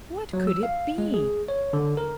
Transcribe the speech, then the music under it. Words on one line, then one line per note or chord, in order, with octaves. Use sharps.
What could it be?
F#3
E6
F5
G#3
G#4
C#5
D3
A#4